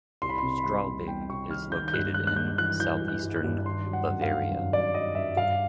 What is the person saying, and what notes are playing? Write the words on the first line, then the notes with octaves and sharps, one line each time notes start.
Straubing is located in southeastern Bavaria.
C2 C6
B5
C3 C6
B5
G3 C6
C3
G3 G5
C3 C#6
D#3 F6
D#3 G6
G6
G2 F#6
G#3 F#6
F#6
G#3 G6
E3 F#6
E3 G6
G2
F#6
G2
F#6
G2
D#3 C6
F#3
F#5
F#2
F5
D#3
F#2
F#2 D5
F#3 D#5
F#2 E5
G2 F5